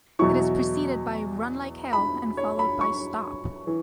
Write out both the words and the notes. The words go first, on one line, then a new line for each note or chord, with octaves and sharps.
It is preceded by "Run Like Hell" and followed by "Stop".
E2 B2 F#3 E4 C#6
B5
C#5
B5
C#6
E3